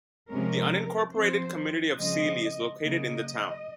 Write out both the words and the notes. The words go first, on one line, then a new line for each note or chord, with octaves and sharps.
The unincorporated community of Seeley is located in the town.
C3 F3 G#3 C#4 A#4
F3 C4 C5
C#3 F3 G#3 C4 D#5
C#3 F#3 A#3 D#5